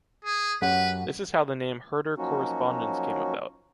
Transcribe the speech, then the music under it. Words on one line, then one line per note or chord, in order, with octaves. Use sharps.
This is how the name "Herder Korrespondenz" came about.
G#4
F#2 G4 B4 F#5
F3 F#3 A#3 C#4 D#4 F#4